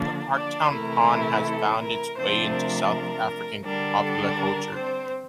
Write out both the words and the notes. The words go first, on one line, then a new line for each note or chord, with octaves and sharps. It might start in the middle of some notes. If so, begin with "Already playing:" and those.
The Parktown prawn has found its way into South African popular culture.
Already playing: D3 F3 A#3 D4
D4 D5
C3 E3 A3 E4 A#4
A4
A#4
C3 F3 A3 C4 D4 C5
A#4
D3 G3 D4 A#4
A4
A#4
C4 C5